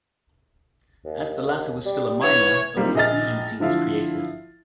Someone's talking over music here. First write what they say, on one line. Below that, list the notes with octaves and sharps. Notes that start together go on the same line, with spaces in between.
As the latter was still a minor, a weak regency was created.
D#2
G3
E3 C#5
G3 A#3 C4 D#4 F4
A#1 G#4 D#5 F6 A6
D3 F3 E4 F4